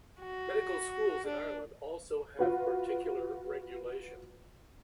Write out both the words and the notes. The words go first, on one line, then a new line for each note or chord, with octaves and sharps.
Medical schools in Ireland also have particular regulation.
F#4
D4
F4 F#4 B4